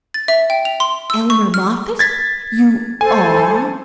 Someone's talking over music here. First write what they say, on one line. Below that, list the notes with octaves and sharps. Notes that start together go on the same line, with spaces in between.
"Elmer Moffatt--you ARE?"
A6
E5
G5
F7
C6
E6
C#6
F6
G#6 A6 B6
A4 C5 G#5